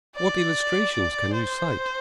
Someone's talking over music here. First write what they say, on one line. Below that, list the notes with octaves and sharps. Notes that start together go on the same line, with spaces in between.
What illustrations can you cite?
D5
C5